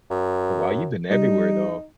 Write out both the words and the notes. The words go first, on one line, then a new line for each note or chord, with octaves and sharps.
But, wow, you've been everywhere though.
F#2
G3 D#4